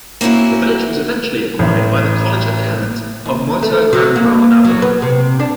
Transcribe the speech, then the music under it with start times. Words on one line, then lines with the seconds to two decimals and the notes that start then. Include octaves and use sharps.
The village was eventually acquired by the college of canons of Moutier-Grandval Abbey.
0.21 A#3 C4 C#4 E4 F#4
1.59 A1
3.26 D#2
3.63 A3
3.93 F#3
4.16 A#3
4.64 F#3
4.82 B3
5.02 C3
5.40 D4